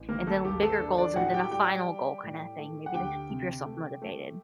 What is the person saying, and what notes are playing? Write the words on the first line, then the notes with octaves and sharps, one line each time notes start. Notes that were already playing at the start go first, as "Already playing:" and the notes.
and then bigger goals and then a final goal kinda thing, maybe to keep yourself motivated.
Already playing: A1
D#3 A#3 A#4
A3 A4
D#2 G4
A3 A4
D4
D4 D5
A2 F#4 F#5
G4 G5
G3 G4 G5
G3
A2
A3
F#5
D2 G4 G5
C3
A3
A3